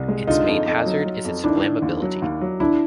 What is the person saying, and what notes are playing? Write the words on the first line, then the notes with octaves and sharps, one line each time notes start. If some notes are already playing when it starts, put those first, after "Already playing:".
Its main hazard is its flammability.
Already playing: C2
G#3
D3 D#4 F4
F2
F2
F#3
F#3
F2
D#3 D4 E4
D#3
D#2
F#3
D#2
F#3
D3 D4 E4